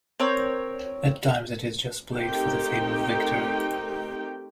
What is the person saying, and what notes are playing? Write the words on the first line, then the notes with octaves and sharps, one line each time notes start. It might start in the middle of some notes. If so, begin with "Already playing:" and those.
At times it is just played for the fame of victory.
C4 A#4 C#5 G6
A3 C4 D#4 G4 A#4 G5